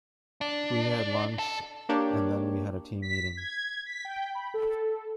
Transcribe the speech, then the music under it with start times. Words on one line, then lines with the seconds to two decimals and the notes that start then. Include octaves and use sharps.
We had lunch and then we had a team meeting.
0.41 D4
1.39 A4
1.89 A#3 D4 G4 C#5
3.02 B6
3.37 G#6
3.86 B6
4.05 G5
4.35 B5
4.54 A4